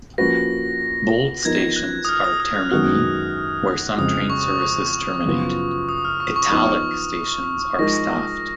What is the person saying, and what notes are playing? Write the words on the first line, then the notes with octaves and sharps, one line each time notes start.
Bold stations are termini, where some train services terminate; "italic" stations are staffed.
F3 A#3 C#4 F#4 B4 A#6
F3 B3 D#4 A#4 G#6
F#6
D#6
F6
D#6
D#6
F#6
F#2 D#3 G#3 B3 F#4 F6
F2 C#3 G#3 D#6
C#6
C#6
F#2 C#3 F3 B3 F4
D#6
F6
C#6
C#6
F3 B3 D#4
F3 G#3 D#4 A#4 A#6